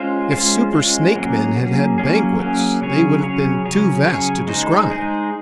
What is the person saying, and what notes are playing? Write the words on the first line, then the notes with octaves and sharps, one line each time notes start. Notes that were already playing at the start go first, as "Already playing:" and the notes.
If super-snake-men had had banquets they would have been too vast to describe.
Already playing: G#3 C#4 F4 C5
G#3 C#4 F4 C5
G#3 C#4 F4 C5
F#3 A#3 C#4 G#4
F#3 A#3 C#4 G#4
F#3 A#3 C#4 G#4
F#3 A#3 C#4 G#4
C#3 F#3 C#4 G#4 C#5
C#3 F#3 C#4 G#4 C#5
C#3 F#3 C#4 G#4 C#5
C#3 F#3 C#4 G#4 C#5
G#3 D#4 G#4 C5
G#3 D#4 G#4 C5